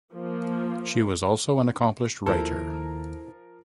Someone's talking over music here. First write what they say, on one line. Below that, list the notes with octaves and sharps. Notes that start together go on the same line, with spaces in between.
She was also an accomplished writer.
F3 A#3
D#2 D#3 F3 E4 A4 A#4 C5 A#5